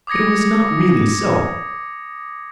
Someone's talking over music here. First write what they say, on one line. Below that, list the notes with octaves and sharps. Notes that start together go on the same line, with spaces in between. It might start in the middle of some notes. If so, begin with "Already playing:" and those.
But it was not really so.
D6 D#6 G#6 A#6 C#7